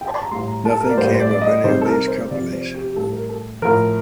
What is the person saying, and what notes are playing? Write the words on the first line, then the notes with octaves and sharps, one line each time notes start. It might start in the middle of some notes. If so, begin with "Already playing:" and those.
Nothing came of any of these companies.
G5
A5
A#5
A2 G3 C6
A#5
A5
A4
A#4
D5
A2 G3 C5
C5
D5
D5
D#5
C3 D#3 G3 C5
A4
A#4
C5
C3 F3 D5
C5
G4
G4
A2 G3 A4
A#4
A4
A2 F3 A#4